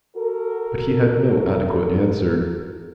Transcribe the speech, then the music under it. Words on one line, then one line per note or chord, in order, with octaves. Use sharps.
But he had no adequate answer.
F#4 A4 A#4